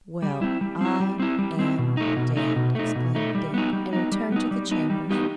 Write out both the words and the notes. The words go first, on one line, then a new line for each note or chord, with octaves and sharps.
'Well--I--am--damned!' exclaimed Dick, and returned to the chambers.
G3
C4 E4
G3
C4 E4
G3
C4 E4
G3
C4 E4
B2
A3 D#4
B2
A3 D#4
B2
A3 D#4
B2
A3 D#4
G3
B3 D#4
G3
B3 D#4
G3
B3 D#4
G3
B3 D#4
G3
B3 D#4 G4